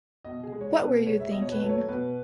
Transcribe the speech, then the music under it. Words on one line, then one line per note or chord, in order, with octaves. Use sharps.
What were you thinking?
B2 D#5
G#4
G#3
C#5
B2 B4
G#3 C#5
E5
B2 D#5
C#5
B4
F#3 A3
C#5
B2 B4